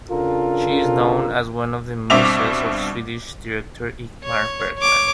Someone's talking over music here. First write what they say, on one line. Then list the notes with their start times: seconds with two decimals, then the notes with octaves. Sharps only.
She is known as one of the "muses" of Swedish director Ingmar Bergman.
0.11 C#3 D4 F4 A4 A#4
2.10 G2 B2 C4 E5 D6 F7
4.24 C#5
4.79 C#5 D6